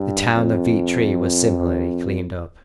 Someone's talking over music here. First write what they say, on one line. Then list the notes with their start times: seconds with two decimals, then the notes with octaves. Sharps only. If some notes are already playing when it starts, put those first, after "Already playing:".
The town of Vietri was similarly cleaned up.
Already playing: G2
0.34 F2